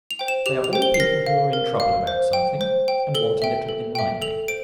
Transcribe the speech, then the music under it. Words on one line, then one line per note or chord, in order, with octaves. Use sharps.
They are all people who are in trouble about something, and want a little enlightening.
F7
C5 G5
E7
G4 F7
F7
C5 G5
G7
C7
A#4 A#6
F5
A#4
F5
C5
G5
C5
G5
A4 G7
E5 G5
A4
E5 G5
A4 F7
C5 D7